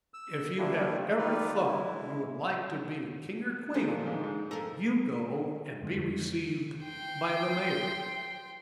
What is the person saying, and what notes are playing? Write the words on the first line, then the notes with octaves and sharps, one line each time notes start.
If you have ever thought you would like to be a king or queen, you go and be received by the mayor.
E6
F3 G3 A3 A#3 D4 E4
D#3 F3 D#4 F4 B4 D5
D3 G#3 E4
D#3 G#3 A3 D#4 G#4 C5
A#2 A4
G#2 D3 F3
G#2
F2 A4 A#4
F2 D3 F3 G#3
G5 C6